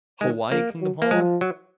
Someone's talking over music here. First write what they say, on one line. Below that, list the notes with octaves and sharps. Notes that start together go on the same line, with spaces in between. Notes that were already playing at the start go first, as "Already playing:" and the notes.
Hawaii Kingdom Hall?
D#3 G#3
F3 A#3
F#3
A#3
F3 G#3
F#3